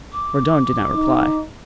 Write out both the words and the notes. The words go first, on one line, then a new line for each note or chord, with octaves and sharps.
Mordaunt did not reply.
D6
D#4